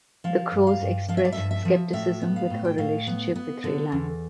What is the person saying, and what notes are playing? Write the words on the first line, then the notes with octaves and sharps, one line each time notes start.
The Crowes express skepticism with her relationship with Raylan.
F3 F5
G2
F5
G2
F3 F5
E5
D5
G2 E5
E5
F3
A2 E5
B3
F5
A2
G5
A2 F5
B3
B3
D3
E2